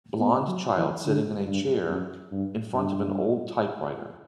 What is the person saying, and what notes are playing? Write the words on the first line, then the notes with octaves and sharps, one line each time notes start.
Blond child sitting in a chair in front of an old typewriter.
B3
F#3
E3
D3
G2
F#2
G2
G2